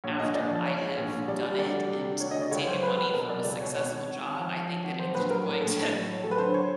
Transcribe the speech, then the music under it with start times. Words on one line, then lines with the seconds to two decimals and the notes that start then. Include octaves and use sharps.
after I have done it and t taken money for a successful job, I think that it's just going to
0.04 A#1 C#5
0.19 A#1 D#5
0.35 A#1 D5
0.50 F3
0.66 F3 C#5
0.81 G#2
0.97 A#1
1.12 A#1
1.28 G3 D5
1.43 G3
1.58 D2 D5
1.74 G3
1.89 C3
2.05 D2
2.20 D2 C#5
2.31 D#5
2.36 D2
2.41 D5
2.51 C#2 C#5
2.67 F#3 C5
2.83 F#3 B4
2.98 F#3 B4
3.13 B2 A#4
3.29 B2 D5
3.44 C#2 D5
3.60 B2 C#5
3.75 G#1 C#5
3.91 G#1
4.06 G#1
4.22 G#1
4.37 F3
4.53 F3
4.68 F3
4.84 G#1
4.99 F#3 C5
5.14 A#1 B4
5.30 F#3 A#4
5.46 A2
5.61 A#1 A4
5.77 A2
5.92 F#3
6.07 A2
6.23 F#3 A4
6.31 B4
6.38 D3 C5
6.54 C#5